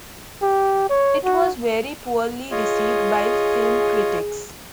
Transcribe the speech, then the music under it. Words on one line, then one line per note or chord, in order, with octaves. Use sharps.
It was very poorly received by film critics.
G4
C#5
F#4
F4 G#4 C#5 D#5